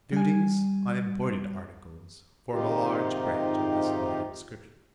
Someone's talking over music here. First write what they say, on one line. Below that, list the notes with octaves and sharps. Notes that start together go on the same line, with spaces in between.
Duties on imported articles form a large branch of this latter description.
G3 G#5
G#2 C3 D#3 D#4 F4 G4